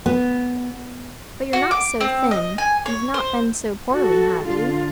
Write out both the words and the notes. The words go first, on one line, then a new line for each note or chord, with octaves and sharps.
But you're not so thin--you've not been so poorly, have you?'
B3
F#4
D6
C4
D#5
G#5
C#5
C5
F#4 A4
D3 F4